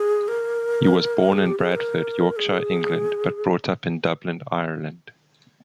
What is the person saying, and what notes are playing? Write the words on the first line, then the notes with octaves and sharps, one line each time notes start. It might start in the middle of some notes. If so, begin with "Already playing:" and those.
He was born in Bradford, Yorkshire, England, but brought up in Dublin, Ireland.
Already playing: G#4
A#4
G#4
G4
G#4
C5
A#4
G#4